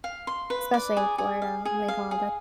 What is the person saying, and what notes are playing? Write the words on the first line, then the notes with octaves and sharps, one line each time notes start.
Especially in Florida, oh my God, that
F5
C6
B4
D5
G#4
G#4
F5
G#4
F5
G#4